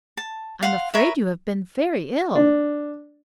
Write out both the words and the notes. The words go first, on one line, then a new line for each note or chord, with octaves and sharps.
"I am afraid you have been very ill."
A5
F5 F#5 C6
A#4 B4 C#5 E5
D4